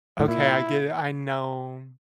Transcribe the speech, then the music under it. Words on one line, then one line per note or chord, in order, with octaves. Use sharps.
"Okay, I get it, I know.
A2
A#2 E4